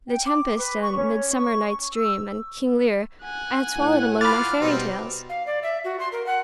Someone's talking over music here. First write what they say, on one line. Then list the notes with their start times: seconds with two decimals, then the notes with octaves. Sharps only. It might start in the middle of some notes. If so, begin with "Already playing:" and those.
"The Tempest," and "Midsummer Night's Dream," and "King Lear," I had swallowed among my fairy tales.
0.09 G5
0.25 D6
0.58 B4
0.81 C#6
0.95 C#4
1.32 C#6
1.92 E6
3.24 F#5 G#5
3.77 A2
4.21 F4 B5 D6 F6 A6
4.61 B2 G3 C4 D#4
5.29 F5
5.46 D5
5.62 E5
5.84 F#4
5.99 C6
6.12 A#4
6.26 F#5